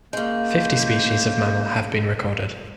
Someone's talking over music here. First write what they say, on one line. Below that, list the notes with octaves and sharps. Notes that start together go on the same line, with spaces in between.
Fifty species of mammal have been recorded.
C#3 G#3 A#3 G6